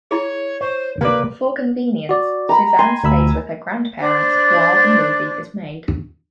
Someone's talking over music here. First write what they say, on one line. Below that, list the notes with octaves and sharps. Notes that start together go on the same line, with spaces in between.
For convenience, Suzanne stays with her grandparents while the movie is made.
E4 G#4 C#5
C5 C#5
C3 A#3 B4 D5
F#4 D5
A#5 B5
G#5 C6
D2 B5 E6
D4 C5